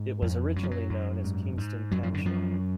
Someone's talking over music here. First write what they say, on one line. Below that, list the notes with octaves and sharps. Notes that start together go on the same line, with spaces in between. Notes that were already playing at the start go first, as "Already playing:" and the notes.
It was originally known as Kingston Township.
Already playing: G#2
F2
F#2 F#3
F3
F#3
F#2
G#2
G#2
F#2 F#3
F3
D3
F#2 F3